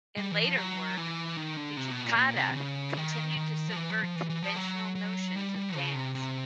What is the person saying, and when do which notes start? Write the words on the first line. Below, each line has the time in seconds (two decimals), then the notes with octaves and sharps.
In later work, Hijikata continued to subvert conventional notions of dance.
0.17 G3
0.31 E3
0.44 F3
0.58 F#3
0.97 E3
1.37 D#3
1.57 D3
1.77 C3
1.91 B2
2.04 A#2
2.16 A#2
2.36 C3
2.51 C3
2.57 C#3
2.97 D#3
3.37 D#3
3.68 F3
3.76 E3
3.90 F3
4.03 F3
4.16 E3
4.29 E3
4.42 F3
4.56 F#3
4.95 F#3
5.36 G3
5.56 G3
5.76 C#3
5.95 C3
6.15 C3